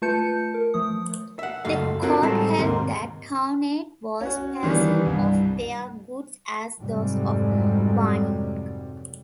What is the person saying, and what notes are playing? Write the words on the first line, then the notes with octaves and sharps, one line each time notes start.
The Court held that Townend was passing off their goods as those of Warnink.
A3 F4 B4 A5 G6 C#7
A#4
F3 A3 D#6
E5 F#5
C#2 F#2 A3 F5
C4 F4 F#4 A4 A#4 C#5
A2 G3 G#3 C4 D#4 A4
D#2 G#2 C3 A#4
C#4 F#4
D#3 E3 G3 B3 D4
C2 G2
F2 G#2 C3 F#3 G3